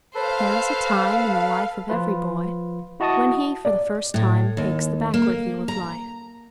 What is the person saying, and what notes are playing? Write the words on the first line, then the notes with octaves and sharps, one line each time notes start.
There is a time in the life of every boy when he for the first time takes the backward view of life.
A4 B4 C5 F5
F3 F4 B4
E4 F#4 D#5 A5 C#6 D#6
D5
A2
D#2
A#3
A#5